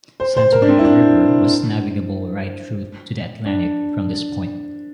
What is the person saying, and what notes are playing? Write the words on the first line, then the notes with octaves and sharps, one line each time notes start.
Santa Maria River was navigable right through to the Atlantic from this point.
C5
C5
A#4
D4
C4
E4
D4
D4